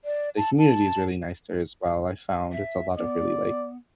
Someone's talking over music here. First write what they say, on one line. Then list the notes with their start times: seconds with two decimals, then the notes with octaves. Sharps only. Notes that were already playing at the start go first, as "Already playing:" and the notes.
the community is really nice there as well. I've found it's a lot of really, like,
0.05 D5
0.37 A5
0.58 A5
2.52 E5
2.97 B3 D5